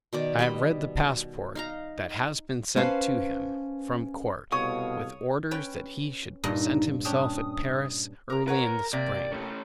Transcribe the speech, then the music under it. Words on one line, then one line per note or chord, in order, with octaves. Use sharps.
I have read the passport that has been sent to him from court, with orders that he should present himself at Paris early in the spring.
B2 D#3 D5
G3 D#5 B5
D#4 F5 A#5
C#4 B4 C5 F5 A5
C2 B2 A4 C#5 F5 C#6 D#6
C#4 B4 G5
G2 A#2 D#4 D#5
C#4 D4 G4 D#6
A#4 A#5
A#4 B4 C#5 F#5
C3 A#3 D5
A3 C#4